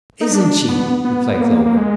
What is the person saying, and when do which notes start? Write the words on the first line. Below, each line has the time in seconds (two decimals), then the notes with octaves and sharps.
"Isn't she!" replied Clover.
0.21 D#4
0.32 D4
0.69 B3
1.05 B3
1.34 B3
1.41 A#3
1.66 A#3
1.77 G#3